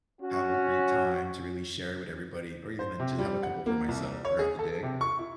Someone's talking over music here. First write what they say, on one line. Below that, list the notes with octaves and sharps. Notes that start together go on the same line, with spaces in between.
have a great time to really share with everybody or even then just have a couple for myself throughout the day.
C#4 F#4
C5
C3
G3
F#5
A#3
C2
C#5
G#4
A4
C3
C#6
E4